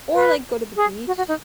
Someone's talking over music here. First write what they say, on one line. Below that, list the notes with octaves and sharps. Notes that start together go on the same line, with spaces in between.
or, like, go to the beach.
B4
G#4
F#4
F#4
D#4